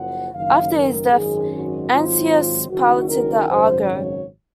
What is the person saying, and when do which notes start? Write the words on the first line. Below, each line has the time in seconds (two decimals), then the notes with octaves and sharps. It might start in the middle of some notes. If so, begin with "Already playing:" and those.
After his death, Ancaeus piloted the "Argo".
Already playing: F#1 F#2 F3 F#5
0.34 F#1 F#2 D#3 F5
0.73 A#4
1.13 G#1 F#2 D#3 G#3 C#4 G#4
1.53 F#4
1.91 G#2 D#3 F#3 C4 D#4 F4
2.70 F#1 F#2 D#3 F#4
3.09 A#4
3.49 G#1 F#2 C#3 F#3 C5
3.88 C#5